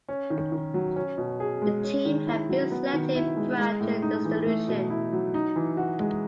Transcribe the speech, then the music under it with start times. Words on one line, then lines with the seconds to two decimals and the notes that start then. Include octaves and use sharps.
The team had been selected prior to the dissolution.
0.09 C#4
0.30 D#3
0.52 D#3
0.74 F#3
0.96 C#4
1.18 B2
1.40 G#4
1.62 G#3
1.84 C#4
2.05 D#3
2.27 E4
2.49 F#3
2.71 B3
2.93 D#3
3.15 E4
3.36 G#3
3.59 G#3
3.81 A2
4.02 D#4
4.25 E3
4.46 A3
4.68 B2
4.90 E4
5.13 F#3
5.34 D#4
5.56 E3
5.77 F#4
5.99 G#3